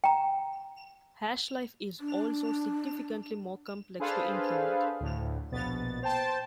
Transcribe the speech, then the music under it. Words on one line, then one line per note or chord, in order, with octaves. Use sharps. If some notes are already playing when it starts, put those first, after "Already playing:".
Hashlife is also significantly more complex to implement.
G5 A#5
D4
D4 G#4 A4 B4 C5 F5
D2 A2
A#1 B2 B3 A6
C5 G5 A5